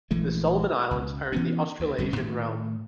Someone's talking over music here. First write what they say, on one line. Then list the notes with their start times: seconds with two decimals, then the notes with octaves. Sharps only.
The Solomon Islands are in the Australasian realm.
0.11 A#1 E3 G#3 A3
0.91 C#2
1.32 E3 B3 C#4
1.80 D2
1.98 G1 C2 C#4
2.16 A2 D#3 A3